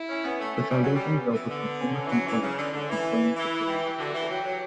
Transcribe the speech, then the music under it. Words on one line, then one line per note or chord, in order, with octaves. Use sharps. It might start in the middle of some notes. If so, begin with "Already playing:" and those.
The Foundation deals with consumer complains and complains between entreprises.
Already playing: E4
C#4
B3 C#4
A3
A3 C#4
G3
F#3
G3
B3
E3
D3
C#4
E3
F#3
E3
C#3 C#4
D3
D3
E3
E4
E3 E4
G4
D3 F#4
E3
F#3 G4
F#3